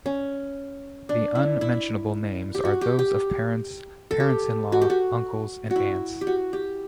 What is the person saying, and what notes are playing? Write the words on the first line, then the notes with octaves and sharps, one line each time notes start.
The unmentionable names are those of parents, parents-in-law, uncles, and aunts.
C#4
D4
E4
E4
G4
F#4
G4
G4
A4
G4
F#4
G4
F#4
F#4
E4
G4
F#4
G4